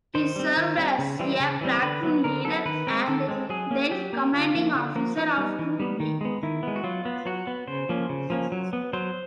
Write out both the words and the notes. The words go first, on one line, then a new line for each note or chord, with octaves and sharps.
He served as a platoon leader and then commanding officer of Troop B.
D#3 C5
G3 C4
D#3
G3 C4
C#3
E3 G3 C4
C#3
E3 G3 C4
D3 B4
F#3 B3
D3 A#4
F#3 B3 A4
D#3 B4
G#3 C4 A#4
D#3 A4
G#3 C4
F#3 G#4
A#3 C#4
F#3 G4
A#3 C#4
D3 F4
F3 A#3
D3
F3 A#3
E3 D#4
G3 B3
E3
G3 B3
D#3
G#3 B3
D#3 E4
G#3 B3
F#4
F#3 F4
B3
F#3 F#4
B3
C#3 C5
F3 A#3 C#4
C#3
F3 A#3 C#4
F#3
B3
F#3 C5